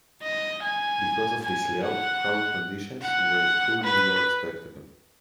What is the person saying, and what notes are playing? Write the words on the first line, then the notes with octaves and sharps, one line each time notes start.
Because of this layout, crowd conditions were a true New York spectacle.
D#5
G#5
G#5
F#5
F#5
B4